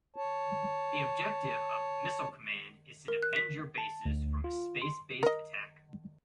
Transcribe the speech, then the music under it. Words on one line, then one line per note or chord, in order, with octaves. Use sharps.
The objective of "Missile Command" is to defend your bases from a space-based attack.
C#5 A5
A#4
F#6
B6
A5
D2
F4
C6
A#4 D#5